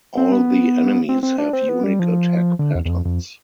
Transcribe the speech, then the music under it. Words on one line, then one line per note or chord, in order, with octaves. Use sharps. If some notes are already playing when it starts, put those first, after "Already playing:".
All the enemies have unique attack patterns.
C4
B3
C4
C4
D4
C4
B3
G3
F3
D3
E2
E2
F2
F2